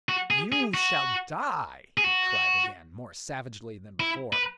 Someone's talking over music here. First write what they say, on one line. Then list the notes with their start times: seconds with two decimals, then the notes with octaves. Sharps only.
"You shall die!" he cried again, more savagely than before.
0.09 F#4
0.30 G#4
0.52 G#4
0.74 F#4
1.98 G#4
2.04 F#4
4.00 E4
4.33 B4